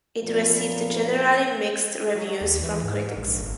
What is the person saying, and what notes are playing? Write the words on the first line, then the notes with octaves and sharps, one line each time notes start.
It received generally mixed reviews from critics.
F#2 A#2 F3 B3 A#4
F#3
D#2
E3
G#2
A#1
G1